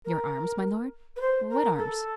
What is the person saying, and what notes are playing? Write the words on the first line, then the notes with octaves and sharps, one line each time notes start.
"Your arms, my lord--what arms?"
A#4
B4
C5
A#4
A4